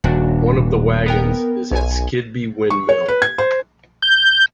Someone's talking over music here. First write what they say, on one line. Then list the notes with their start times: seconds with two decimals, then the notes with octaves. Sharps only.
One of the wagons is at Skidby Windmill.
0.04 D#1 D4 F#4
1.06 B3 A#4 G5
1.71 B1 G#5
2.70 C#6
2.89 C#5
3.08 B4
3.22 G#6
3.38 C5
4.02 G6